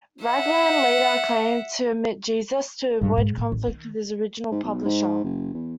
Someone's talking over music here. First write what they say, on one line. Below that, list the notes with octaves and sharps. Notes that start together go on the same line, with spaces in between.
Raglan later claimed to omit Jesus to avoid conflict with his original publisher.
E5 F#5
G2
G#2
A2
A1
D#3
G#2
B1
G#2
F#1
E2